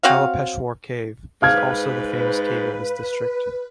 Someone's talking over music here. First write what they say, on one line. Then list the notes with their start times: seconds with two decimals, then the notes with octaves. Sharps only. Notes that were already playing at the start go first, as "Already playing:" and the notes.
Alapeshwar cave is also the famous cave of this district.
0.03 C4 F#4 C#5 F5
1.42 G#2 B4 F5 F6 G#6